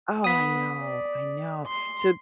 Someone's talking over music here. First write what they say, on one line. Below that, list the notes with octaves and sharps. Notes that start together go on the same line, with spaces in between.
Oh, I know, I know, so
B3 D#6 B6
D5
C6